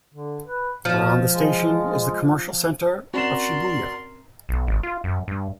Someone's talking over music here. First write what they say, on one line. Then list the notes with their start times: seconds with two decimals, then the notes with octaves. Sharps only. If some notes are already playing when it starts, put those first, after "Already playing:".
Around the station is the commercial center of Shibuya.
0.14 D3
0.47 B4
0.85 B2 F3
1.33 G#3
3.14 C4 C#4 F#4 A#4 D5 C6 E7
4.49 B1
4.67 G#1
4.83 F4
5.04 F#2
5.28 G2